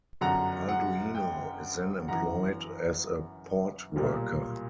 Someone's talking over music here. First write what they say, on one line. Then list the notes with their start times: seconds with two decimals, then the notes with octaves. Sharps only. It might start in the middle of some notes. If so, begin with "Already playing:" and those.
Balduino is then employed as a port worker.
0.21 G1 F#2 D3 F#3 F#5 A#5
0.68 F#5
1.15 G5
2.08 G1 F#2 E3 F#5 A#5
3.96 B1 A#2 G3 A#3